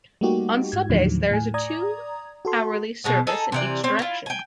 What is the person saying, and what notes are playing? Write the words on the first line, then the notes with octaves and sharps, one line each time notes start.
On Sundays, there is a two-hourly service in each direction.
G3 A3 A#3 D#4 F#4 G4
G#2 G#6
D#2 A2 D3 D#3 F3 F#3
A2 G#5
D5 A#5 D#6 G#6
F#4 A4 C6
B2 G#3 B3
D#4 G#4 A4
C3 E3 D5
C4 C#5
E4 F4
G5 G#5